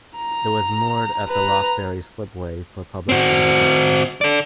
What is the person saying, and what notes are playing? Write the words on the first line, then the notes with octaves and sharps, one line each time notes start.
It was moored at the Rock Ferry slipway for public exhibition.
A#5
B4 A#5
C4 F#4
A4 D5